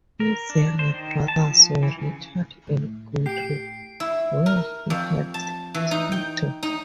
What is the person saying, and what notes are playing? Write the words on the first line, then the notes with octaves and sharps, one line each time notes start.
His younger brothers were Richard and Godrey whom he helped tutor.
A#4
D4
C5
D#3
A5
F3
E3
C#3
A2
G4 C7 D7
E4
A#4
F2
A5
E3
D#4
G5
D#4